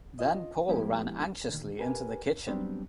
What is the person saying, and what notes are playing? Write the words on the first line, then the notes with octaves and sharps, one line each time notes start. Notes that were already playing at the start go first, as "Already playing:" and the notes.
Then Paul ran anxiously into the kitchen.
F4 D#5
F3 G#3 B3 E4 G4
D2 A#2 D#3
G4 A#4 B4 G#5
F#3 G3 B3 C4 D4 G4